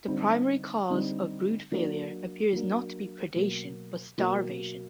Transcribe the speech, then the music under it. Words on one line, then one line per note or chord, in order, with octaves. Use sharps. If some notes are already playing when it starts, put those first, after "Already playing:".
The primary cause of brood failure appears not to be predation but starvation.
D3 G3 C4 D#4
D3 G3 C4 D#4
F#3 A#3 D4
F#3 A#3 D4
B2 F#3 A#3
B2 F#3 A#3